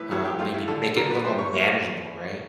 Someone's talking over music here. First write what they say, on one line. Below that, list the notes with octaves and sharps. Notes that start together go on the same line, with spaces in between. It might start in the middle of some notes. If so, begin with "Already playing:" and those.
um, maybe make it a little more manageable, right?
Already playing: A2 B4
F#3 G#4
G4
A3 F4
E4
D3 A4
A4
D3 A#4
B4
G3 C5
C#5
A#3 C#5
D5